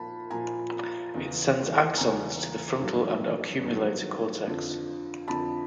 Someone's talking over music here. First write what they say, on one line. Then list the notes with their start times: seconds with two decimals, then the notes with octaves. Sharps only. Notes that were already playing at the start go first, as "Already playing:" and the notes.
It sends axons to the frontal and oculomotor cortex.
Already playing: A#2 F3 A5 B5
0.31 A#2 F3 G#5 A#5
1.14 E2 C#3 E3
1.97 E2 C#3 E3 G#5 A#5
2.80 G2 D#3 F#3
3.63 G2 D#3 F#3
4.46 F2 D3 F3
5.28 F2 D3 F3 A5 B5